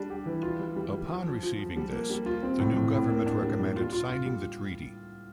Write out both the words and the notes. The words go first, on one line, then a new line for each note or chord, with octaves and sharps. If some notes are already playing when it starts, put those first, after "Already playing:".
Upon receiving this, the new government recommended signing the treaty.
Already playing: G3 D4
G4
E3
F4
G3
G3
G3
F3
F3
F3
F3
G3
A#3
G3
F4
C4
A2
A2
A2
A#3
D4
G3
G3
F4
F4
F4
G3